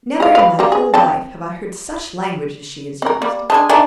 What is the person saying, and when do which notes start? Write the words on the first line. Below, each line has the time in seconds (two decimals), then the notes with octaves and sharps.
Never in my whole life have I heard such language as she has used.
0.20 G#3 F5
0.35 B4 F5
0.59 G3 A#3
0.72 G#4
0.94 C4 G5 A5
3.02 C4 A#4
3.22 G3 A#3
3.50 G#3 D4 G#5 A5
3.69 D#3 D4 D#5 E5 G#5